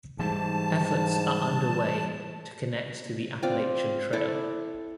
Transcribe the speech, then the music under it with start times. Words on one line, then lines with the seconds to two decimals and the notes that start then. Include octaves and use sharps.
Efforts are under way to connect to the Appalachian Trail.
0.19 G#2 E3 G3 A5
3.43 C4 F4 D5
4.13 E4 A4 D5